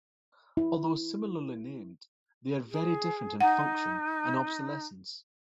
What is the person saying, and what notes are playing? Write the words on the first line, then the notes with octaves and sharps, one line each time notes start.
Although similarly named, they are very different in function and obsolescence.
E4
G#4
D#4 F#5